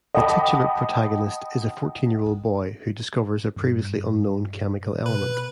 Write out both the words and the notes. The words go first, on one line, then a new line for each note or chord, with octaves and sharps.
The titular protagonist is a fourteen-year-old boy who discovers a previously unknown chemical element.
D#5 F#5 G5 A5 B5 D6
G2
B2 B4